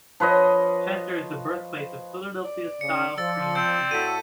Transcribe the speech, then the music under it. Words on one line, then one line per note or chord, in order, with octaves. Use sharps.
Chester is the birthplace of Philadelphia-style cream cheese.
F3 B4 C#5 D#5
D5
C#3 C#7
F3 E6 A6
C4 G6
A2 F#4 A4 B6 D#7